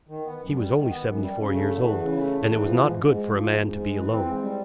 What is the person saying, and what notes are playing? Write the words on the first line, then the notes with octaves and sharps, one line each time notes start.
He was only seventy-four years old, and it was not good for a man to be alone.
D#3
B3
F#2
G3
D#3
B3
F#2
G3
C#3
A3
E2
E3
C#3
A3
E2
E3
F3
G#2
G#2
G#3
F3
G#2
G#2
G#3
E3
C4
G#2
G3